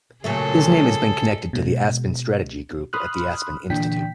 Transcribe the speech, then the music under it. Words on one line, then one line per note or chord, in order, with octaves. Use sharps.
His name has been connected to the Aspen Strategy Group at the Aspen Institute.
A#2 C#3 F#3 A3 G#4 A4
B2 G#3
B5 C6 D#6 F6 F#6
A#2 D3 E3 D4 G5 B6